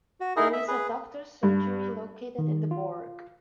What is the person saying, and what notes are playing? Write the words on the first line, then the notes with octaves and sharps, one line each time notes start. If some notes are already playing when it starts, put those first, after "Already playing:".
There is a doctors surgery located in the Borg.
F#4
D#4 E4 G#4 A#4
E5
G#4 B4
G2
D#3
F4